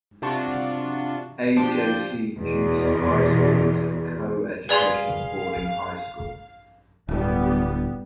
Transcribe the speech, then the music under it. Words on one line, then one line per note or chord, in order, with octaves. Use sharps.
A. J. C. Jooste High School is a coeducational boarding high school.
C3 D4 F4 F#4
F3 D4 G4 G5 C7
E2 B2
G#4 B4 D5 F5 B5 C6 F7
D1 G1 G3 B3